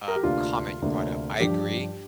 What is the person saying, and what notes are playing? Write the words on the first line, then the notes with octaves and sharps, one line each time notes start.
um, comment you brought up. I agree,
A#4
G4
D2 C3 A#3 D4 F4
D2 C3 A#3 D4
G2 F3 D4 G4